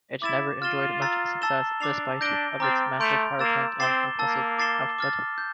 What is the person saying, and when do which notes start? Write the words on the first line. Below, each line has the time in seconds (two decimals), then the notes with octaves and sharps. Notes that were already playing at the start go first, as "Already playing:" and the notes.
It never enjoyed much success despite of its massive powerplant and impressive output.
0.22 E4 D6 A6 E7
0.61 F4 F6 A6 E7 G7
1.02 A#5 E6 A6 C7
1.42 A5 E6 A6 E7 G7
1.80 D4 D6 A6 C7 F7
2.21 D4 G6 A#6 D7 G7
2.60 C4 A#5 D6 F6 A6
2.99 A3 C6 G6 D7 F7
3.39 A#3 E6 A6 E7
3.80 C4 D6 A6 C7 E7 G7
4.19 A#3 A5 E6 A6
4.59 D6 A6 C7 E7 G7
4.99 D6 F6 A6
5.38 G6